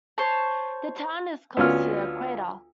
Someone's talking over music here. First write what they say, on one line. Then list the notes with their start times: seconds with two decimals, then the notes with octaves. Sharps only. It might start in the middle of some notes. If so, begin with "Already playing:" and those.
The town is close to the Equator.
0.18 C5 C#5 A5
1.57 D2 B3 C#4 F4 F6